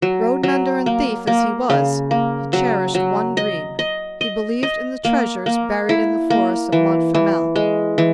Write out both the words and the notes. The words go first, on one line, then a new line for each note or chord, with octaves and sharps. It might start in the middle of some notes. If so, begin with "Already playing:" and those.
Road-mender and thief as he was, he cherished one dream; he believed in the treasures buried in the forest of Montfermeil.
F#3
F#3
A#3
A#3
C#3
A#3
F#3
F#3
D#5
D#5
D#5
D#5
A#3
A#3
E4
A#3
E3
E3
G#3
E3